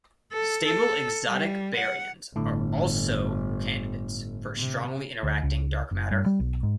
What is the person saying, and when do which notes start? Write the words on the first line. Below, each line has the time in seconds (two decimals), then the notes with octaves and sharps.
Stable exotic baryons are also candidates for strongly interacting dark matter.
0.33 A4
0.66 A4
1.26 G3
1.77 F#5
2.36 G1 A2 D3
4.58 C3
5.23 D2
5.43 C#2
5.91 F#1
6.11 G2
6.26 G3
6.40 B1
6.63 G#2